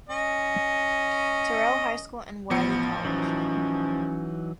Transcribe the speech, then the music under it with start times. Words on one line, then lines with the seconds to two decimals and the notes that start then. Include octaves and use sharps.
Terrell High School and Wiley College.
0.09 C#4 D#5
2.50 A1 F3 B3 C#7
3.05 E3 F#3 C#4 D#4